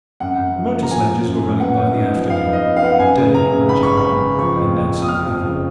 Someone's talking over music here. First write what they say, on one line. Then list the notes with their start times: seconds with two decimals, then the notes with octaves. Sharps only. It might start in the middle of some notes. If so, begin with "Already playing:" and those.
The motor sledges were running by the afternoon, Day managing one and Nelson the other.
0.20 F#2 F#5
0.38 F#2
0.56 F3
0.73 A#3
0.83 A#5
0.90 F3 G#5
1.08 A#3
1.26 F#2
1.43 F#2
1.60 B3 F#5
1.77 F#2
1.95 D#4
2.13 F3
2.30 B3 F5
2.48 D#4
2.53 D#5
2.65 B3
2.76 F5
2.82 B3 F#5
2.92 F5
2.99 F#2 G#5
3.17 C#3
3.34 F#2 A#5
3.52 C#3
3.69 G#1 B5
3.83 G#1 C#6
3.97 B5
4.03 G#1
4.21 C#3
4.39 F3 C#6
4.56 F2
4.74 F2
4.91 F2
5.02 D#6
5.09 F2 F6
5.26 F3
5.44 F#1